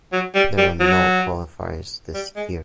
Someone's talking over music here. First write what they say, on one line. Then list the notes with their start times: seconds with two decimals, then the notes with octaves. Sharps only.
There were no qualifiers this year.
0.12 F#3
0.35 G3
0.58 G3
0.80 F#3
2.14 G3
2.36 G#3